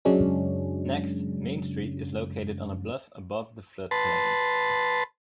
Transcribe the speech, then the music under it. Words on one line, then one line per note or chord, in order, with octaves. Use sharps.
Next, Main Street is located on a bluff above the floodplain.
F#2 C#3 F#3 G#3 C#4 D4
B4 A5 C6